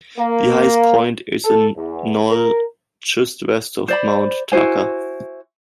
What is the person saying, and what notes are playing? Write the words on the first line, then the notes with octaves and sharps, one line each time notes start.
The highest point is a knoll just west of Mount Tucker.
A#3
A4
E2
A#4
C5 D5 B5
E4 F#4 C5 G#5